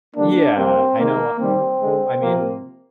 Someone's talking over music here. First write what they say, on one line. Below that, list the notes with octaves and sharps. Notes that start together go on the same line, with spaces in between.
Yeah, I know I'm m I mean,
D3 G3 A#3 D4
C3 G3 A#3 C4
D#3 G#3 A#3
C3 D#3 G3 C4
D3 G#3
C3 F3 A#3